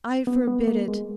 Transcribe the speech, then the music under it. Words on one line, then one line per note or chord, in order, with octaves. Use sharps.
I forbid it.
B3
B3
A#3
G#3